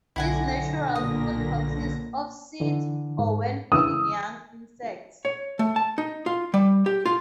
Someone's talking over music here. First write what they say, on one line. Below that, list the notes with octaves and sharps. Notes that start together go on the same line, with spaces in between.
Its natural food consists of seeds, or when feeding young, insects.
B1 D3 E4 F#5 G#5 A#6
A#2 A#3 D#6
D3 E3
G#2
C#3 E3 D#6 E6
C#5
A3
A5
D#4
F4
G3
G4
F4